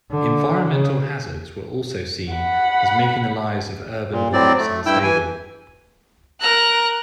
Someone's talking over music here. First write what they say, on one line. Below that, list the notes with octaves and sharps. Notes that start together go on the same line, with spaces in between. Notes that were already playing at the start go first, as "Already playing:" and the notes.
Environmental hazards were also seen as making the lives of urban blacks unstable.
D3
C#3
F#5 B5
A#2
A2 F#3 C4 D5
A3
G2 E4 G5 E6
E3 G#5
A#4 A#5 F#6